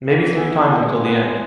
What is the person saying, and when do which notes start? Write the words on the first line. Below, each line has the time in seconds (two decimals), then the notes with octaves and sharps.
Maybe three times until the end.
0.15 E3
0.33 B3 E4 G#4
0.51 E3
0.68 B3 E4 G#4
0.86 G#3
1.04 B3 G#4 B4
1.21 G#3